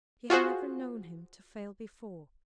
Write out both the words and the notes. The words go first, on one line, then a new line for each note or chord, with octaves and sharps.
She had never known him to fail before.
F4 F#4 G#4 C5